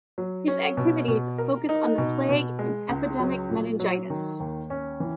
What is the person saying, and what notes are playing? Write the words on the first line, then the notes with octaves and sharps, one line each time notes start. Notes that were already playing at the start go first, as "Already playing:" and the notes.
His activities focus on the plague and epidemic meningitis.
F#3
C#4
B2
B2
A#4
D#4
B2
B2
G#3
C#2
F#3
A#2
F#3
D#3
D#2
C#4
E3